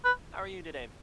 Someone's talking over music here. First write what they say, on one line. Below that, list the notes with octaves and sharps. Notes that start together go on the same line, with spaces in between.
How are you today?
B4